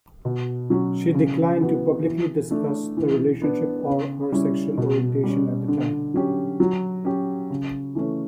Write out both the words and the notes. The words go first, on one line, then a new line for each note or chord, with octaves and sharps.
She declined to publicly discuss the relationship or her sexual orientation at the time.
B2
F#3 C#4
C#3
E3 B3 F#4
E3
A3 D4
E3
B3 D4
C#3
G3 C#4 E4
B2
G3 C#4
D3
F#3 C#4 G4
F#3
C#4 G4
C#3
E3 A3 C#4